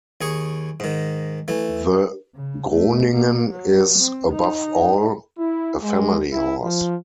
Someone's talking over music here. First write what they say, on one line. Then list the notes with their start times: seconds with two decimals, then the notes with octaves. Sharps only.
The Groningen is, above all "a family horse".
0.21 D#2 G#4 C#6
0.80 G#2 D#3
1.48 E3 A3
2.35 C#3
2.72 A3
3.14 A#3
3.51 F#3
3.99 C4
4.32 D#4
5.38 E4
5.81 G#3
6.32 E4
6.63 F3